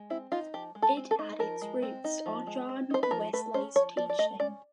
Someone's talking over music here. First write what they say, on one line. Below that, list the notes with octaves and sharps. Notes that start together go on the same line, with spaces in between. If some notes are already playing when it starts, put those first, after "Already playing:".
It had its roots on John Wesley's teaching.
Already playing: G#3
C4 E4
D#4 F4
F3 G4
G#3
A4
C4
A4
D#4
F3 A#4
G#3
C4
D#4
F3
G#3
C4
D#4 C5
B4
F3 A#4
A3 B4
C#4 C5
F3 C#5
F3 D5
D5
A3 D#5
C#4 D5